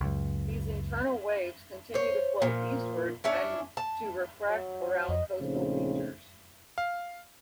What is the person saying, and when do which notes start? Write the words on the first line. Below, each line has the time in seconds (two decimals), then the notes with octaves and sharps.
These "internal waves" continue to flow eastward and to refract around coastal features.
0.01 C#2 F#2
1.94 C5 C#5
2.42 A#2 F3
3.24 C#4 D4 E4 C#5
3.77 A5
4.49 F#3
5.09 F2 D#5
5.41 A#1 C#3 A3 C4 D#4 C5
6.78 F5